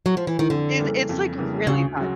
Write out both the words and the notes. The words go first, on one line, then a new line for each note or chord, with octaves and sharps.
It it's, like, really bad.
F#3
F3
E3
D#3
F2 D3
C#3 E3 G3 A#3
F2
C#3 E3 G3 A#3
D2 C#3
C#3 F#3